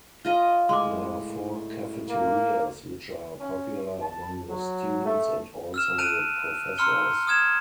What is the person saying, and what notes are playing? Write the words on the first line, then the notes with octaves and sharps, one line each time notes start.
There are four cafeterias which are popular among the students and also the professors.
F4 D#5 A#5
A2 G#3 C6 D6
A#3
C#4
A5
F#3
A3
E6 F6 E7
A5 F#6 D7 D#7 F7
A#5 C6 E6 F6 C#7 G7
D#6 F6 G#6 E7